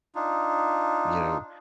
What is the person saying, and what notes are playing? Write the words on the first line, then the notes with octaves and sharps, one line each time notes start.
you know
D4 D#4 F4